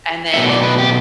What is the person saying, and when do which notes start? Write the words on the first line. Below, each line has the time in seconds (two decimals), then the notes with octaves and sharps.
And then,
0.34 B2 F#3 A3 E5
0.49 D5
0.63 B4
0.78 G4